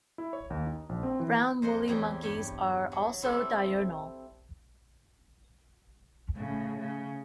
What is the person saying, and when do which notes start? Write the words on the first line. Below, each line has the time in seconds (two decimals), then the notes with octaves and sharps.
Brown woolly monkeys are also diurnal.
0.18 E4
0.33 C#5
0.50 D#2
0.66 D#4
0.89 A#1
1.03 C4
1.20 E3
1.62 F2 C5 D#5 F#5 C6
1.88 E2 A2 G4 G#4 G5
2.22 G2 G4 C#5
2.92 F#3
3.22 G3 C4 E4 A4 D5
6.34 A2 C#3
6.79 C#3